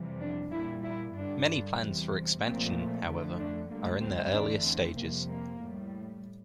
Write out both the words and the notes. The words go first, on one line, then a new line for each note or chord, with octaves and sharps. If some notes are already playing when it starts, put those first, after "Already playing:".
Many plans for expansion, however, are in their earliest stages.
Already playing: F2 C3 E3 G3
D4
A#2 G3 E4
E4
G2 D3 G3 D4
E2 C3 G3
A#2 F3 A3 C4
F2 D3 A3
D4
D2 D3 G3 A#3
C4
E2 D3 A3 D4
C4
F2 C3 G3 A#3
A#3
A2 G3